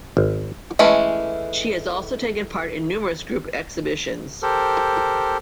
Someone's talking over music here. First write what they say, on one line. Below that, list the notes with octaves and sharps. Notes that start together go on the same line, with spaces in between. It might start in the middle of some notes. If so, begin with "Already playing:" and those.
She has also taken part in numerous group exhibitions.
G#1
E3 G#3 A3 C#4
G4 A4 A#4 C5